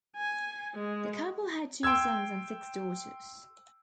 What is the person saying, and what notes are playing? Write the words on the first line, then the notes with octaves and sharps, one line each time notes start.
The couple had two sons and six daughters.
G#5
G#3
G5 C6 E6 G#6